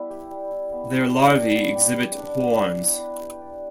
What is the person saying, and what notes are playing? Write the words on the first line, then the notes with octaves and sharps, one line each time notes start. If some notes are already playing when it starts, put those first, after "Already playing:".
Their larvae exhibit horns.
Already playing: G3 B3 E4
G4
G3
E4
B3
G4
G3
D4
B3
G4
G3
D4
B3
G4
E4
B4
G4
D5